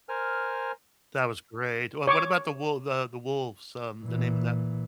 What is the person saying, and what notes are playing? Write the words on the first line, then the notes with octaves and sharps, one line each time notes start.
That was great. Wha what about The Wolv The The Wolves, um, the name of that?
A#4 C5 G#5 F6
C#5 C#6 D6
A#2 E3